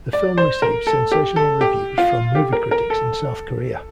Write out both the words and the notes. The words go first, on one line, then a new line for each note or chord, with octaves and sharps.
The film received sensational reviews from movie critics in South Korea.
D5
C5
A#4
A4
G4
A4
G4
F4
G4
A#4
A#4
A4